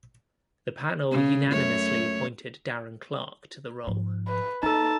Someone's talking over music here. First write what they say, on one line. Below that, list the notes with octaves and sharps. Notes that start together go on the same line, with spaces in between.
The panel unanimously appointed Darren Clarke to the role.
C#3
F#2 A3 C#5
G#2 F3
B4
A#3 D#4 A4 A5